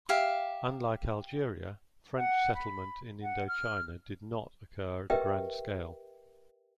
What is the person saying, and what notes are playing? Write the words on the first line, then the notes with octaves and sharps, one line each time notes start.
Unlike Algeria, French settlement in Indochina did not occur at a grand scale.
G4 E5 F5
F#5
B5
F#5
F6
G4 A#4 B4 D#5 E5 G5